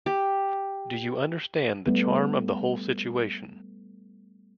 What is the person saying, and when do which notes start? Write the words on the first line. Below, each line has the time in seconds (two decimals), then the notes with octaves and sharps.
Do you understand the charm of the whole situation?
0.06 G4
1.87 G3 A3 B3